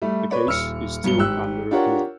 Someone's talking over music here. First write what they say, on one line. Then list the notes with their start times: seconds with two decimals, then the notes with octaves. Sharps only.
The case is still under appeal.
0.02 G3 A3
0.30 B4 C#5 D5 B5
0.47 D#1 E6 F6 C#7
1.04 G2 F#3 C#7 G7
1.18 G#1 G4 E6 F#6
1.71 D4 F4 G4 A#4 C#5 F#5